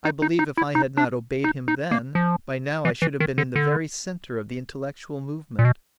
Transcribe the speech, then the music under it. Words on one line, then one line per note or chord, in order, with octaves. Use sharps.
I believe if I had not obeyed him then, by now I should have been in the very centre of the intellectual movement.
D#4
D#4
D#4
E4
D#4
D4
D#4
D#4
A#3
F3
E3
E3
D#3
D3
D3
A#2
B2